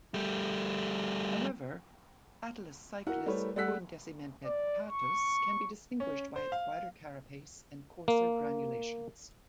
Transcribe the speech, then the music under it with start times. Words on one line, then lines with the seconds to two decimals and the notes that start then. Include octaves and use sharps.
However, "Atelecyclus undecimdentatus" can be distinguished by its wider carapace and coarser granulations.
0.14 G3 A3
3.07 E4 F#4 A#4 F#5
3.26 G3 A3 E4 A#4 B4 C#5
3.56 G3 A3 F#5 E6 F#6 B6
4.45 D5
4.89 C#6
6.00 C#4
6.36 C5
6.52 F5
8.08 A#3